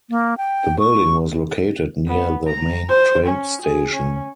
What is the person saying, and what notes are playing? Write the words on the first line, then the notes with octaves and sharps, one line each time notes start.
The building was located near the main train station.
A#3
G5
C#6
B3
A#5
C5
C#4
G#4
C#4